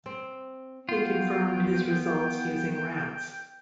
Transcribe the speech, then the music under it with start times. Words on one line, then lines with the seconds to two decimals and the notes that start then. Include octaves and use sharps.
He confirmed his results using rats.
0.06 C4
0.89 B3 F4 G5